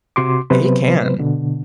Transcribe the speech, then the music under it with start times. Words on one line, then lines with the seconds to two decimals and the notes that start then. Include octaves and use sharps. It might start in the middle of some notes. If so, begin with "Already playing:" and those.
A can.
0.16 C3 F#4 C6 D6
0.50 C3 F#3 B3 B4 C5
1.18 B2 D3